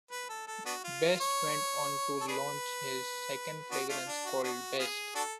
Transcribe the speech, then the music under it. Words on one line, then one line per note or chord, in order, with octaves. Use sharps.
Best went on to launch his second fragrance, called "Best".
B4
A4
A4
B3 D4 F#4
F4
C#5
A4
D4 G#4 B4
B3 D4 F#4
A3 D4 F4
D4
F#4
B3 D4 F#4
B3 F4 G#4
D4 F#4 A4